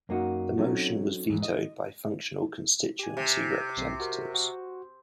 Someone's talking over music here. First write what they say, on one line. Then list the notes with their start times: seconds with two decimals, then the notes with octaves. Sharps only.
The motion was vetoed by functional constituency representatives.
0.09 F#2 A#3 D#4 F#4
0.57 F#3 C4 C#4 D#4 A4
1.29 D#2 G#2 E3
1.43 D#5
2.99 G4 G#5
3.17 C3
3.77 B1 C4 C7
4.00 F#4 G4 A#4
4.34 F#4